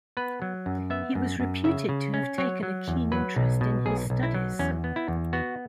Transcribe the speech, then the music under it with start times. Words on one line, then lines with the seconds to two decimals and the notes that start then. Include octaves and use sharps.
He was reputed to have taken a keen interest in his studies.
0.17 B3 B4
0.42 F#3
0.66 F#2
0.90 B3 E5
1.15 F#2
1.40 F#2
1.64 C#3 E5
1.89 C#3
2.14 C#4
2.38 F#3 C#5
2.63 F#3
2.88 E2
3.12 F#3 B4
3.36 B1
3.61 B2
3.86 B1 G#4
4.10 B1
4.23 E4
4.35 F#3
4.59 E2 C#4
4.84 B3
4.96 E4
5.08 E2
5.33 B3 F#4